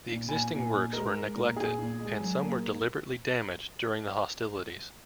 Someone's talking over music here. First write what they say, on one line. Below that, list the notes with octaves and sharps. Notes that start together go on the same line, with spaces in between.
The existing works were neglected, and some were deliberately damaged during the hostilities.
A#2
A#2 G#5
A#2
A#2
G#3 A#4
G#3
A#2
A#2 G#4
A#2
G#3
F#3
A#3